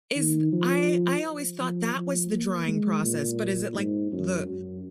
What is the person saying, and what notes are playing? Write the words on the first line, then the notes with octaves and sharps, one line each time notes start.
is I I always thought that was the drying process, but is it like, the
D#3
F3
F3
F3
A#3
G#3
A#2
G#2
F#2
F#2